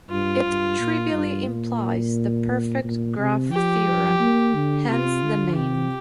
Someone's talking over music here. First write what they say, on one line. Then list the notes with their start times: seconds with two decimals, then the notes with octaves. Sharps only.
It trivially implies the perfect graph theorem, hence the name.
0.10 G2 F4
0.45 G2
0.79 A#2
1.13 G2
1.48 A#2
2.84 A#2
3.18 C3
3.52 F3 G4
4.20 A#3
4.55 D3
4.89 C3 F4
5.22 D3
5.57 C3 G4